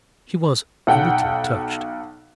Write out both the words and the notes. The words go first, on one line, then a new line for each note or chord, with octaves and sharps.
She was a little touched.
B1 F#5 G5